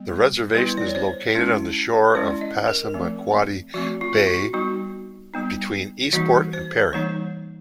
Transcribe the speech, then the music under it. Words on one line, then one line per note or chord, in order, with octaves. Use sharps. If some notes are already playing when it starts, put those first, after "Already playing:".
The reservation is located on the shore of Passamaquoddy Bay between Eastport and Perry.
Already playing: G3 B3
G3 B3 E4 B4
D5
C#5
C5
G#3 C#4 E4
G#3 C#4 E4 D5
D#5
A#4
F3 A3 C4
F3 A3 C4 F#4
F4
F#4
G3 B3 D#4 F#4
G3 B3 D#4
E3 G3 A#3 D#4 F#4
C5
E3 G3 A#3 D#4 C#5